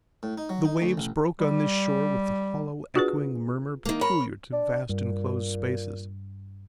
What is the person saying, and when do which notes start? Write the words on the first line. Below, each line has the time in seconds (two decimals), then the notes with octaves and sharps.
The waves broke on this shore with the hollow echoing murmur peculiar to vast inclosed spaces.
0.23 A2
0.38 D#4
0.49 F#3
0.65 D#4
0.82 D2
0.98 A1
1.40 G3
2.96 D4 F4 F#4 G#4 B4
3.85 D#3 A#3
4.01 A#4 C#5 B5
4.52 D4
4.89 G2 A#2